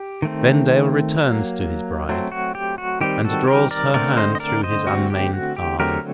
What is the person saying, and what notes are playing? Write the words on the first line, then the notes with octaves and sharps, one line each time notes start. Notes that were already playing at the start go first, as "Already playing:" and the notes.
Vendale returns to his bride, and draws her hand through his unmainied arm.
Already playing: G4
D#3 A3 C4
F#3 A#3
F#3 A3 C4
F#4
G4
F#4
D#3 G3 C4 G4
F#4 A4
G4 A#4
A#4 D5
D3 A3 C4 A#4 D5
C5 D#5
D#5
A#4 D5
C5 D#5
D3 A3 C4 F#4
G4
F#4
G4
D3 F#3 A3 C4 G4 A#4